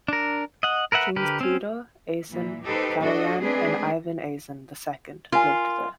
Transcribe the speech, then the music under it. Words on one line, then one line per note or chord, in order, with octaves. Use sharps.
Kings Petar, Asen, Kaloyan and Ivan Asen the second lived there.
D4 A#4
D#5 F#5
A#4 B4 E5 F#5
D3 G4 A#4 B4
C4 C#4
A#2 E3
D#4 G4 A4 B4 C5
D4 F#4 A4 D#5
G#3 A3 C4 D4 G#4 B4
F4 A#4 G#5